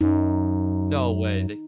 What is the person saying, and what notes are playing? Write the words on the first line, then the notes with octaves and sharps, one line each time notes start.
No way, they
F#2 D#4